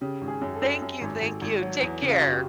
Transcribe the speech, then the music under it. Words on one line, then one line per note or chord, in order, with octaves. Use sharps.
Thank you, thank you, take care.
C#3 G4
G#1
G#4
F#2
A4
F#2
F#2
G#1
G#1
G#1
F#3
E2
C#3
F4
F#1 F#4
G4